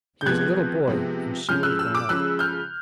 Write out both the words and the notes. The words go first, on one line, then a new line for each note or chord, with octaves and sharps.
He was a little boy, and she was grown up.
G6
C3 F3 G#3 B3 F#6 G#6
C3 F3 G#3 B3
C#3 F3 G#3 C#4 F6 G6
E6 F#6
E6 F#6
D6 E6
C#3 F3 G#3 C#4 E6 F#6
F6 G6